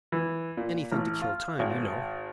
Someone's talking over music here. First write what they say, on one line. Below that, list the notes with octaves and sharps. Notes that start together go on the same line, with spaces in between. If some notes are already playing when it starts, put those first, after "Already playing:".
"Anything to kill time, you know."
E3
A#2
A1
F4
G#1